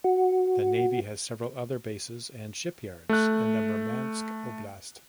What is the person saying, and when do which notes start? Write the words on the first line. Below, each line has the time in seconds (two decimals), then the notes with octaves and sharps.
The Navy has several other bases and shipyards in the Murmansk Oblast.
0.04 F#4
3.09 A3 F#6